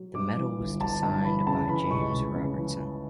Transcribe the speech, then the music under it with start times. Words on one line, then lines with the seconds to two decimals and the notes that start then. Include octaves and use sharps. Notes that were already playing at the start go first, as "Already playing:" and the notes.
The medal was designed by James Robertson.
Already playing: F#3
0.15 G2 D6
0.37 E3
0.59 G1
0.81 G1 A5
1.03 G2 A5
1.25 E3 B5
1.47 C#3 A5
1.68 E3 B5
1.90 C#2 C#6
2.12 C#2
2.34 C#3
2.57 E3